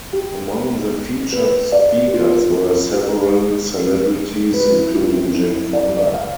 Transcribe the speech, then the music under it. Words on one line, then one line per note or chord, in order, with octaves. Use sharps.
Among the featured speakers were several celebrities including Jane Fonda.
G4
B4
D5
G4
F4
F4
G4
B4
E4
F4
C4
E4
D5
D5
E5
F5